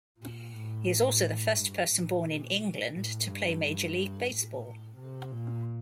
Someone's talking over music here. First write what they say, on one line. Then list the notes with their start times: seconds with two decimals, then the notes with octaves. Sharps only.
He is also the first person born in England to play Major League Baseball.
0.18 A#2
0.52 A2
1.55 G2
1.89 A2
2.24 A#2
2.92 A2
3.26 G2
4.29 A2
4.97 C3
5.31 A#2